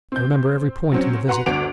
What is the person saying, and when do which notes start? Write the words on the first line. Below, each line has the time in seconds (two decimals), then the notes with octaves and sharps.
I remember every point in the visit.
0.12 C4 G6
0.92 F#3 C4 C#4
1.27 F#4 B4 F#5 A#5 C6
1.46 G1 D2 F#4 D6 D7 F7